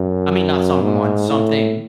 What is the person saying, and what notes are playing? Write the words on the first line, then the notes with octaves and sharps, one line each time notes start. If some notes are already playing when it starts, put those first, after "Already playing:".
I mean not someone, something,
Already playing: F#2
G#2
A2